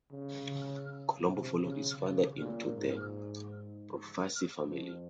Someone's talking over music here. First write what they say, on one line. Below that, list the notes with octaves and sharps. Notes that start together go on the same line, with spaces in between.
Colombo followed his father into the Profaci family.
C#3
C3
C#3
C#3
A#2
G#2
F2